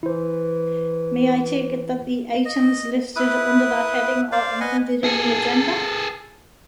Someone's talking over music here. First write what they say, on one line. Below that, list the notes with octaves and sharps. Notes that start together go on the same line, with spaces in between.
May I take it that the items listed under that heading are included in the agenda?
E3 E4 C5
D#5
E4 B4 D#6
C5 D5 F5
B4 D#5 F#5 G#5
G#4 A4